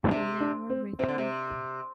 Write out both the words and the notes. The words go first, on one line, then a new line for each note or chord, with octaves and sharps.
He never returned.
C3 D4
D4
C4
C3 C4
D3
C3